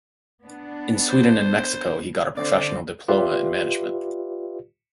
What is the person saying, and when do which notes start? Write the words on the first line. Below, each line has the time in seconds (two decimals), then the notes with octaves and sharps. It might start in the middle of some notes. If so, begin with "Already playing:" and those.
In Sweden and Mexico he got a Professional Diploma in Management.
0.46 B3 D4
1.10 C5
2.37 D3 C4 D5
3.08 F4 G4 B4 D5 E5